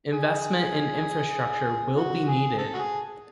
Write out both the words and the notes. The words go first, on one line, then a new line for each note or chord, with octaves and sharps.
Investment in infrastructure will be needed.
G#4
F#4
G#4
A4
F#4
G#4